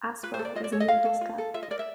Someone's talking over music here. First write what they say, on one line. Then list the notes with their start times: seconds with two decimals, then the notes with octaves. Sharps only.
Asphaug is an Eagle Scout.
0.23 F4 B4
0.34 C5
0.39 A4
0.45 D5
0.55 F4 D#5
0.64 D5
0.72 A4 C#5
0.80 D#5
0.88 F4 F5
1.05 A4
1.21 F4
1.38 A4
1.54 F4 E5
1.63 D#5
1.71 A#4 D5
1.79 E5